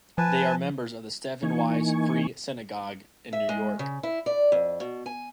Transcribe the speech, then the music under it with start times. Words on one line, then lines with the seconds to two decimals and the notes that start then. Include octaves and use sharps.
They are members of the Stephen Wise Free Synagogue in New York.
0.18 F3 B4 G#5 A5
1.43 E3 A#3 D#4 G#5 C#6
3.33 E5
3.49 G#3
3.79 C#3
4.03 E4
4.26 D5
4.52 F2
4.80 B2
5.06 G#5